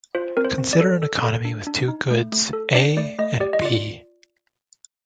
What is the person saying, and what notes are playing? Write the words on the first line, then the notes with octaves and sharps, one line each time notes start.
Consider an economy with two goods, A and B.
F4 C5
C4 A#4
C5
C4
D5
A4
A4
A4
D4
D4
D#4
A3
A3
A4
D4 D5
A3 D5
A3 D#5
G4 D5
D#5
F4 D5